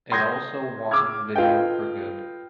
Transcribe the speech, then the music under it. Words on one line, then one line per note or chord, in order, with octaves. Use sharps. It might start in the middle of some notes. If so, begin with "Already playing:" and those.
It also won Video for Good.
C6 D#6 G6 G#6 A#6
D6 E6 F6 G#6
F4 A4 B4 D#5 G5